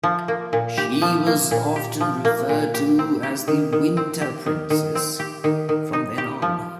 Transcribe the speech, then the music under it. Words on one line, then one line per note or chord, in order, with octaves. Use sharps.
She was often referred to as the "Winter Princess" from then on.
F3
A#3
A#2
G4
F3
A#3
A#2
G4
F3
A#3
A#2
G4
C4
G4
D#3
D#3
C4
G4
D#3
D#3
C4
G4
D#3
D#3
D#4
G4
F3